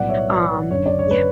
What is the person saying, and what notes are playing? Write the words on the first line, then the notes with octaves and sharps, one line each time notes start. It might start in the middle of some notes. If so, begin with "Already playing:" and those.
Um, yeah
Already playing: B1 A2 G3 B3 D5 F#5
C#5 E5
B4 D5
F#1 F#2 D3 C#5
D5
C#5
B4